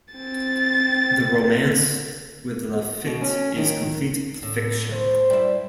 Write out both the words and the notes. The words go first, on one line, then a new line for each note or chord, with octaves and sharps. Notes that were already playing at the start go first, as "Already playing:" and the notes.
The romance with Lafitte is complete fiction.
C4 A6
B2
C#4
D#3
A2
C5
G3 E4